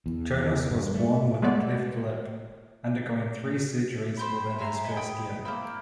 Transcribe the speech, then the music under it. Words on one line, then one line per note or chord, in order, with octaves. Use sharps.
Jonas was born with a cleft lip, undergoing three surgeries within his first year.
E2
E2
G2
A3
G#3 A3 B3 D5
C5 G5 B5
G#4 E5 A#5 C6
D#5 G#5 B5
G5 B5 D#6
A#3 C4 E4